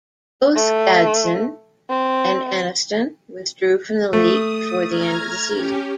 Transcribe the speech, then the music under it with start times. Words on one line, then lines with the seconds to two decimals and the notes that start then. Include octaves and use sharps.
Both Gadsden and Anniston withdrew from the league before the end of the season.
0.55 A3
1.90 C4
4.13 A3 D#6
4.86 A#5 F6 G#6
5.51 C#4 G4